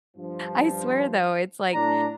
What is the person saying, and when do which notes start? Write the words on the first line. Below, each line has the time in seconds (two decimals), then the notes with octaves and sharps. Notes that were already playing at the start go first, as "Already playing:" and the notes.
I swear, though, it's, like
0.17 G2 F3
1.74 A2 F#3 D4 A#5